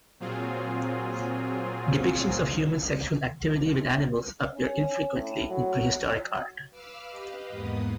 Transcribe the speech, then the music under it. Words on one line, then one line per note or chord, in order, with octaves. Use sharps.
Depictions of human sexual activity with animals appear infrequently in prehistoric art.
A#2 F#3 C4 F4 G#4
C#4
A2
F#3
B4 F5 D6 E6 F6
G4 B4 D#5 F5
E2 G#2 A#3 B3 B4 D#6